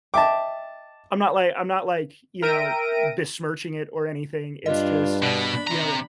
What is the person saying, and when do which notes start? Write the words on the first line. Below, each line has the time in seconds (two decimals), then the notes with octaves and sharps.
I'm not like I'm not like, you know, besmirching it or anything, it's just, you know,
0.14 D#5 E5 G5 A5 D6
2.42 A#4 E5 G5 A#6 D7 D#7
4.66 G2 D4 F4 D#5
5.23 B2 D4 B5
5.67 C3 A#5